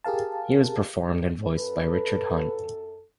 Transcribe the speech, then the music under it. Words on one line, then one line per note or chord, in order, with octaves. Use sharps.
He was performed and voiced by Richard Hunt.
G4 G#4 A#4 F5 A5
F#2 A4 B4